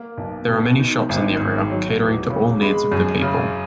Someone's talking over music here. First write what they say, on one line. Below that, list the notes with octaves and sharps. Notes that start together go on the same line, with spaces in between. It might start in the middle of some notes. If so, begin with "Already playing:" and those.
There are many shops in the area catering to all needs of the people.
Already playing: A#3
B1
B2
D#3
G#1
G#2
F#3
E2
C#3
G#3 B5
F#2
C#3